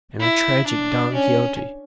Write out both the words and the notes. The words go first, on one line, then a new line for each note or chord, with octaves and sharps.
And a tragic Don Quixote.
E4
D4
C#4